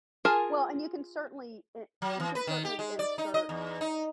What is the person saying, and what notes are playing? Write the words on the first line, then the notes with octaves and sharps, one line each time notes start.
Well, and you can certainly i you can certainly insert
F4 G#4 A#4 G#5 A5
F#3
E3
B4
D#3
G4
G#3
D5
D#4
D#5
E2
D#4